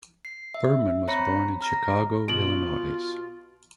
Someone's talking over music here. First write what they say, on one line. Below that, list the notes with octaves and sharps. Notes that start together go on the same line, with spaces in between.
Berman was born in Chicago, Illinois.
C7
E5
C4 C#5 A#5 B5 A#6 C#7
A#5 F6 A#6
B2 F4 D7 F#7